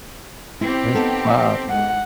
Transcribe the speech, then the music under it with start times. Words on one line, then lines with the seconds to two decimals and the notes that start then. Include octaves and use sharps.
That's wild.
0.61 C4 E4 G4
0.95 B3 D#4 A4
1.70 G#2 F#5